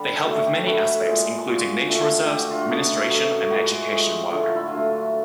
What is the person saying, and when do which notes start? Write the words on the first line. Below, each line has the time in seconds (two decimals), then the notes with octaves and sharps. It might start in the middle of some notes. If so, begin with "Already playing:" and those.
They help with many aspects including nature reserves, administration and education work.
Already playing: D3 G3 D4
0.25 A2 F#3 A3 F#4
0.46 G4
0.66 A2 F#3 A3 B4
1.06 A#2 F3 G#3
1.47 A#2 F3 G#3 F#4
1.88 D3 F3 A3
2.28 D3 F3 A3 G4
2.39 F#4
2.51 F4
2.61 F#4
2.70 B2 F#3 A3
3.10 B2 F#3 A3
3.50 A2 F3 G#3 F#4
3.91 A2 F3 G#3
4.32 D3 F#3 A3 F#4
4.44 F4
4.56 E4
4.68 F4
4.73 D3 F#3 A3